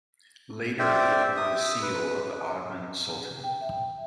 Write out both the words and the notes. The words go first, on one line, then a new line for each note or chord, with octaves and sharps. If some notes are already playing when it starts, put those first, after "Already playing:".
Later, it bore the seal of the Ottoman sultan.
C5 D5 E5 G5
E5 D#6
B4
G5
E5